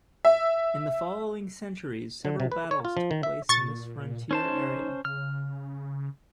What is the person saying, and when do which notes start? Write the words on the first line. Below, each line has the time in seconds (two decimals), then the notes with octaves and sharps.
In the following centuries, several battles took place in this frontier area.
0.25 E5
2.25 D3
2.40 C3
2.52 B4
2.71 C#5
2.85 F4
2.97 F3
3.11 D#3
3.23 E5
3.49 A#2 C#6 A6
4.31 C#4 D#4 C5 A5
5.05 C#3 F6